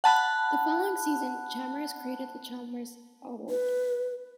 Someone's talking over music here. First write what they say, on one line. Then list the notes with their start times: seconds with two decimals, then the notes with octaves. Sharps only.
The following season, Chalmers created the Chalmers Award.
0.04 F#5 A5 B5 F#6
3.48 B4